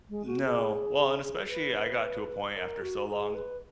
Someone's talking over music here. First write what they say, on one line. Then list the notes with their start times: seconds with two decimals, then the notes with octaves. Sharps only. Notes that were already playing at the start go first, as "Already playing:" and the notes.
No, well, and especially, I got to a point after so long
0.09 G#3
0.26 F#4
0.44 G#4
1.50 B4
2.56 A#4
2.81 F#4
3.08 G#4
3.34 B4